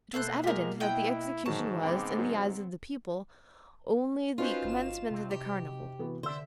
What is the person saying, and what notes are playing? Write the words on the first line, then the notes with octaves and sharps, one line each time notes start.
It was evident that the execution was, in the eyes of the people, only the commencement of the Carnival.
B2 A#3 E4 A4 C5 F#6
G#3 F4 G4 A#4
E4 D#5 F#5 G5
G#2 D#3 F#3 A5 C#6
C#3 B3 C4 G5 B5 D6
F#3
C#4 D#4 F4 F#4 B4 C5 D#5
G1 E7
C3
G4
E3 B3 F#4
D3 C5 D5 E5 E6